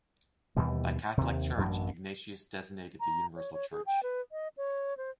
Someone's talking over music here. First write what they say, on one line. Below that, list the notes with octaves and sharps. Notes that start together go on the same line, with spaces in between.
By "Catholic Church" Ignatius designated the universal church.
D#2 B2 E3 G3
D#2 C3
A1 F#2 F#3 D4
A#5
C#5
C#5
G#4
G5
B4
D#5
C#5
C5